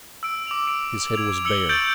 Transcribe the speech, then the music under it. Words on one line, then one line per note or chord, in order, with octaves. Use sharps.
His head was bare.
E6 D7
D6 F7
D7
G#6 F7
E6 C#7 F#7 G7
C#6 G6 A6 D7 F#7